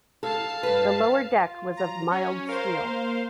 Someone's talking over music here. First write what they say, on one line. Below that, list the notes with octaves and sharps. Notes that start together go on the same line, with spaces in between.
The lower deck was of mild steel.
A4 F5 A5
G2 B4
F4
F#3 A#5
C#4 C#5
A#4 C5 F5
A#3